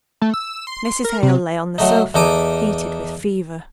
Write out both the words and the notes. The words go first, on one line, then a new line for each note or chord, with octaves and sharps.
Mrs. Hale lay on the sofa, heated with fever.
A3
E6
C6
C6
A#4
C3
F#3 A3 D#4
E2 D#4 A4 D6 D#6